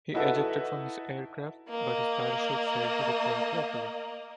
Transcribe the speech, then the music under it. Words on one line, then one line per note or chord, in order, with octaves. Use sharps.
He ejected from his aircraft, but his parachute failed to deploy properly.
D#4 E4 F#4 A4 B4 E5
A#3 D#5